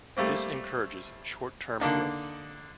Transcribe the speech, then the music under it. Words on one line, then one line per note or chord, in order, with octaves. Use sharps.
This encourages short-term growth.
G3 A3 A#3 C4
D3 A#3 D4 D#4